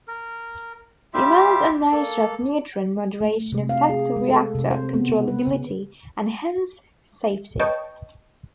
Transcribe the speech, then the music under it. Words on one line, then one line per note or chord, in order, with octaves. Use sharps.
The amount and nature of neutron moderation affects reactor controllability and hence safety.
A#4
G3 F4 G4 E5
A#3 A4
A3
C3
F5
G#4
G#3
A4
C3
C5
B3
C#3
B4
C#3
B4 C#5 D#5 G5 A5 C#6